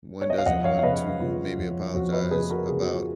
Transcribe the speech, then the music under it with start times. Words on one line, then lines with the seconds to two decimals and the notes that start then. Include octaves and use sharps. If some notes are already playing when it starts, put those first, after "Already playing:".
one doesn't want to maybe apologize about
0.21 C#5
0.30 D#5
0.38 F5
0.46 F2 D#5 F#5
0.64 C#5 F5
0.79 F5
0.83 C#3 B4 D#5
1.20 C#3 F4
1.57 F2
1.94 F2 F#4
2.13 B4 D#5
2.31 C#3 G#4 B4
2.50 F#4 A#4
2.68 C#3 G#4
2.81 F#4
2.93 F4